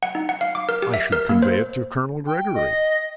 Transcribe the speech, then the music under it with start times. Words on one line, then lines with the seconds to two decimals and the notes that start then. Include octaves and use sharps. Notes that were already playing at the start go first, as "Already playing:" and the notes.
"I should convey it to Colonel Gregory."
0.03 F#5
0.15 D#4
0.29 F#5
0.41 F5
0.55 D6
0.69 A#4
0.82 G4
0.94 E5
1.12 A#4
1.29 A#3
1.42 C5
2.26 G5
2.54 D#5